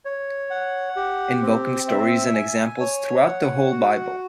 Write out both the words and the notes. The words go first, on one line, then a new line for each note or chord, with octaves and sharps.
Invoking stories and examples throughout the whole Bible.
C#5
F#5
G4
C4
E5
G#5
C#5
F#5
F#4